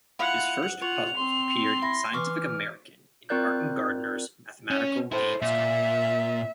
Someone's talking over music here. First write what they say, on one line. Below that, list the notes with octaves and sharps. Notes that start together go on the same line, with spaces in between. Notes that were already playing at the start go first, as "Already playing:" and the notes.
His first puzzles appeared in "Scientific American" in Martin Gardner's "Mathematical Games" column.
E4 F4 F#5 F7
F4 C#5 F#5 F7
C4 C6
E4 A#6
E3 C#6 D6 F6
C4 F4 A#4 D5 F#6 G6
C#4
E4 A4 C5
A#2 E5